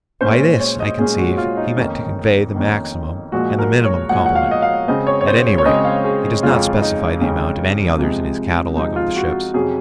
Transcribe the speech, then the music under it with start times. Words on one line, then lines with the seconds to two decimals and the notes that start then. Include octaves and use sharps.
By this, I conceive, he meant to convey the maximum and the minimum complement: at any rate, he does not specify the amount of any others in his catalogue of the ships.
0.21 A#2 G#3 C#4 C5
0.60 C#5
0.80 D#5
0.99 A#2 G#3 C#4 G#4
1.18 F#4
1.38 F4
1.57 D#4
1.76 F2 D#3 A#3 C#4
2.54 F2 D#3 A#3 C#4
3.32 A#2 F3 G#3 F#4
3.59 A#4
3.84 C#5
4.09 A#2 F3 G#3 F#5
4.26 F#5
4.36 F5
4.51 D#5
4.62 F5
4.88 C#3 G#3 C4 D#5
5.07 C#5
5.21 C#5
5.27 C5
5.46 C#5
5.58 C#5
5.65 C#3 G#3 C4 D#5
5.85 F5
6.04 G#4
6.43 F2 C#3 G#3 C#4 F4
6.82 D#4
7.21 F2 C#3 G#3 C#4
7.99 C3 F3 G#3
8.76 C3 F3 G#3 D#4
8.96 F4
9.16 F#4
9.54 F2 C3 F#3 C#4 G#4